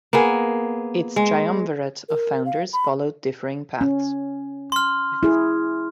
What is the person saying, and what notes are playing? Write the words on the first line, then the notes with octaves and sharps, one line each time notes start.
Its triumvirate of founders followed differing paths.
A#3 B3 G#4
G#3
A#4
F5
B5
C#4
C6 F6
E4 G#4